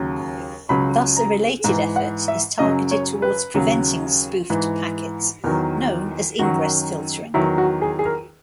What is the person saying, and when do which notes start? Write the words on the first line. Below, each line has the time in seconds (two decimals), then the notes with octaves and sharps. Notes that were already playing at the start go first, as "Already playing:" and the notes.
Thus, a related effort is targeted towards preventing spoofed packets; known as ingress filtering.
Already playing: D#2 C#3 F#3
0.69 C#2 C#3 F#3 B5
1.17 A#5
1.64 G#2 E3 A#5
1.96 F#5
2.28 E5
2.59 F#2 C#3 F#3 D#5
2.91 C#5
3.22 B4
3.54 D#2 C#3 F#3
4.50 G#2 E3
5.44 E2 D#3 F#3 A#4
6.39 F#2 D#3 F#3 F#4
7.34 E2 D#3 F#3 E4
7.58 F#4
7.82 G#4
7.99 G#4
8.05 A#4